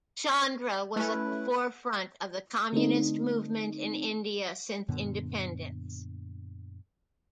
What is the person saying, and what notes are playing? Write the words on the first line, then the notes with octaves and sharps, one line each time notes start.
Chandra was at the forefront of the communist movement in India since independence.
A3 C#4 E4 B4
D3 A3 C4 D#4
F#2 A#2 D3 B3